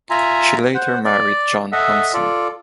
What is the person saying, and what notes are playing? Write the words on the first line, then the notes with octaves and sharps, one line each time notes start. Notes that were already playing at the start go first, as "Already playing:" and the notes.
She later married John Hansen.
F4 E5 G#5 A#5
C5 F#5
D5
A4 D#5 E5 F#5
F4 A4 D5